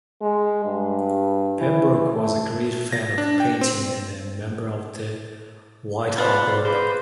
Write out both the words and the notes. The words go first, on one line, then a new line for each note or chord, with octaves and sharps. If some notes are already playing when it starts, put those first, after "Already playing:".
Pembroke was a great fan of painting and a member of the Whitehall group.
G#3
G2
E3
A3
A#6
D4
G5
C4
C4 F4 B4 D5 F5 F#5 B5
G#4 B4 C5